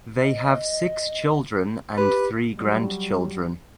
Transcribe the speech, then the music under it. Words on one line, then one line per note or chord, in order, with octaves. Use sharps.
They have six children and three grandchildren.
D#5
G4 B4
F#3 G3